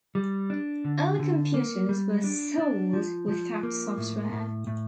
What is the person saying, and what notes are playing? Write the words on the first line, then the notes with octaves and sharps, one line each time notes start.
Early computers were sold without software.
G3
D4
D3
D3
A#3
G3
D4
D4
F3
F3
A#3
A2
A2
A2